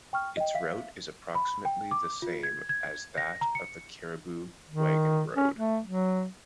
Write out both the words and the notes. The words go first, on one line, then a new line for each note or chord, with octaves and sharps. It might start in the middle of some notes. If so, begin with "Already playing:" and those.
Its route is approximately the same as that of the Cariboo Wagon Road.
G5 C#6 F6
D#5 G5
E5 F5 B6
B5
G5
D6
F4
G#6
G#6
A#6
A#5
C#7
D#3
C#4
A3
F#3